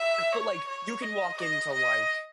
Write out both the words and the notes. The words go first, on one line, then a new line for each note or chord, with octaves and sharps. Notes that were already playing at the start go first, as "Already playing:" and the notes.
but, like, you can walk into like
Already playing: E5
C#5
C#5
D#5
D#5
D#5